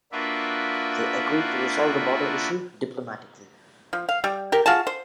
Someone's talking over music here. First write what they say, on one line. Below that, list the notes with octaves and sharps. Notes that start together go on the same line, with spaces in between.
They agreed to resolve the border issue diplomatically.
A#3 D4 F4 F#4 B4 E5
F3
F5
G3
G4 A#4
F4 F#4 G#4 A5
C5